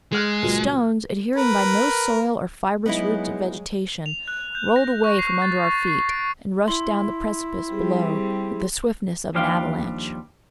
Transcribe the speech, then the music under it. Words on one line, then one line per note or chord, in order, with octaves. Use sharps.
The stones, adhering by no soil or fibrous roots of vegetation, rolled away from under our feet, and rushed down the precipice below with the swiftness of an avalanche.
G#3 G#4 F6 F#6
C#2 A#2 F#3
A#4 B4
F#3 G#3 B3 D#4 E4
F7
F#6
G6
A#6
C#6
C7
A6
C#6
C7
D7
E4 C6
G3 C4 G4 G#4
D#2 F3 G3 D4 F5 G5